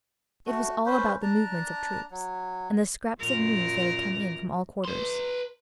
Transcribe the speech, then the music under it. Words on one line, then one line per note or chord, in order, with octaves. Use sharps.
It was all about the movements of troops, and the scraps of news that had come in from all quarters.
A3 F#4
C#4 B4 C5
D4 A5 A#5
F#3
F#2 A#2 A#4
B4 C6